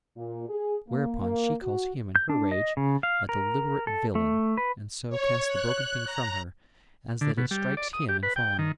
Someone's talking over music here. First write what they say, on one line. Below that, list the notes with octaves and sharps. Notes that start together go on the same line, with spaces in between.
Whereupon she calls him in her rage, 'A deliberate villain,' and so casts the broken thing from her as that it strikes him in falling.
A#2
G#4
A#3
A#3
F#4
G6
D4
D#5
C#3
F5
A#4
A4
A3
B4
C#5
F#6
A#5
D3
B2
G3
D5
D#6
G4
B4
G5
D#3